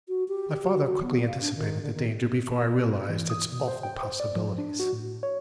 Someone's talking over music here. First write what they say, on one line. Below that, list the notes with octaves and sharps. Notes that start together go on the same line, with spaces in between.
My father quickly anticipated the danger before I realized its awful possibilities.
F#4
G4
G4
F#4
F#4
B3
F5
D4
D#3
D3
D#3
E3
D#6
B2
C5
G5
C5
D5
F3
D4
F#4
A2
C#5